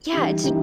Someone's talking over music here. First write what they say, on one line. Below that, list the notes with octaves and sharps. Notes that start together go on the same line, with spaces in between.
Yeah, j
E3 G3 D#4 G4
E3 G3 D#4 G4